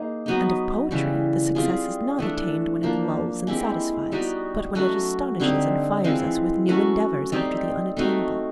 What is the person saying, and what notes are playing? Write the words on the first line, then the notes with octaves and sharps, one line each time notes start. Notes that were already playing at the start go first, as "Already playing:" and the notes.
And of poetry the success is not attained when it lulls and satisfies, but when it astonishes and fires us with new endeavors after the unattainable.
Already playing: A#3 D#4 G#4
F#3 B3 D#4
C#3 E3 G3
G3 C4 F4 G#4
E3 A3 D4
F3 A#3 D4
G#3 C4 E4 G4
G3 B3 D#4 F#4
F#3 A3 C#4 F#4
D3 G3 C4 D#4
E3 G#3 C4 F4
F#3 A3 C#4 F#4
G3 C4 D#4
A3 C4 D#4 F#4